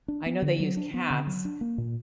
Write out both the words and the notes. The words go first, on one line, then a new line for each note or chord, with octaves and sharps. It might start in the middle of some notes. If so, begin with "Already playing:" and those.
I know they use cats,
D4
B3
D3
F#3
D4
B3
D3
F#3
D4
A#3
A#2